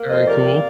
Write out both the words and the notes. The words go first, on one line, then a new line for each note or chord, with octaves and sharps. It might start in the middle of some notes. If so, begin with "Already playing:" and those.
Very cool.
Already playing: A#3
F2 C5 D#5
C3 A#4 D5
A#3